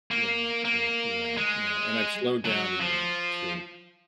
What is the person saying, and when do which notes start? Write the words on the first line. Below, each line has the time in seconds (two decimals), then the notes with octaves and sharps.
Yeah, yeah, yeah, yeah, and I've slowed down eating too,
0.11 A#3
0.65 A#3
1.37 G#3
2.45 F#3
2.81 F3